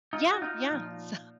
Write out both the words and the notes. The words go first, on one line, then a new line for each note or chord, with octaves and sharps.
Yeah, yeah, so
D#4 F4
F#4
D#4 F4
A#2 F3